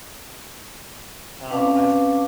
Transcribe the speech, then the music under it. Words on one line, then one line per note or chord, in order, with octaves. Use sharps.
Oh, I see.
C4 C#4 B4 F5 A5 D6